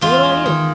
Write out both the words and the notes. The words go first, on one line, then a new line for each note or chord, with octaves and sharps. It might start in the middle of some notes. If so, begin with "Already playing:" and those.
but what about you?
E2 F4
G#3
D#3